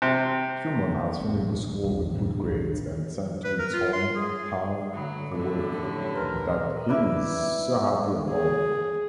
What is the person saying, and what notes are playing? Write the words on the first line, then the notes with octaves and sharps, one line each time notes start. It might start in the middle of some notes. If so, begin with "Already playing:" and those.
Tuman has finished the school with good grades and sent to its home town for work”’ that he is so happy about it.
C3
A3 B3 C4
E1 A2 G3
A#1 E2
G#2 B2 D#3 E3
A#1 D#2
B4
A#4
F4
C6
G#4
D3 F#3 A3 B5 D#6
F#2 A2 D3 F3 F#3 E4 A4 D6
C#4 G4 C#5
D2 A#2 D#3 A#4 B4 C6
E4 B4 D5
G#4